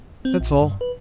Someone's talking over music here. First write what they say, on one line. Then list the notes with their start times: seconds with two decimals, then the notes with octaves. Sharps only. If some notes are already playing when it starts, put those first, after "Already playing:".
That's all.'
0.25 C4
0.40 A#1
0.61 G2
0.81 B4